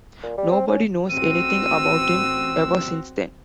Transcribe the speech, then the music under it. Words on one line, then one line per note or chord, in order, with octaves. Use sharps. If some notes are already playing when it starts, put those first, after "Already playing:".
Nobody knows anything about him ever since then.
A#2
G3
C4
C#4
A1 C4 F#4 E6 D#7